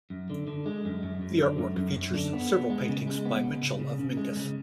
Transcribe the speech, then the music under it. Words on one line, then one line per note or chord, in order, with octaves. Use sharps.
The artwork features several paintings by Mitchell of Mingus.
F#2
D3
D3
G#3
F#2
F#2
F#2
D3
F#2
F#2
F#2
D3
B3
B3
G#3
C#3
G#3
B3
C#3
C#3
C#3
C#3
G#3
C#3